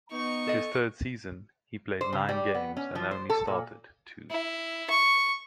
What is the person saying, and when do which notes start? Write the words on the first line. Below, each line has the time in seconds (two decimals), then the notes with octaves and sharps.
His third season he played nine games and only started two.
0.12 B3 D#4 C#6
0.48 A4 D#5
2.01 C5
2.13 C#3
2.29 G3
2.54 B3
2.77 C#4
2.95 F3
3.11 C5
3.30 A4
3.47 A#2
4.30 E4
4.89 C#6